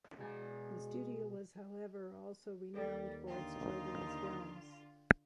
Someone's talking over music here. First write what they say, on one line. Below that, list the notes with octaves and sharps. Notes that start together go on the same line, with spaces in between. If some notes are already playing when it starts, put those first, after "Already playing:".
The studio was, however, also renowned for its children's films.
B2 G#3 G#5
D#2 G3 A4 D5 G5
D3 D#4 F4 G5